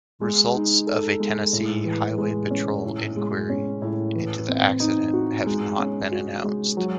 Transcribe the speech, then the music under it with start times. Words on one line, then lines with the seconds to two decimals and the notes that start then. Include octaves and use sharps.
Results of a Tennessee Highway Patrol inquiry into the accident have not been announced.
0.21 G#3
0.54 D#4
0.87 A4
1.20 G#3
1.53 A2
1.85 E3
2.18 G#3
2.51 C#4
2.84 A2
3.17 G#3
3.49 C#4
3.82 A2
4.15 E3
4.48 C4
4.80 D#4
5.13 F#4
5.46 G#3
5.79 C#4
6.12 F#4
6.44 G#3
6.77 F#3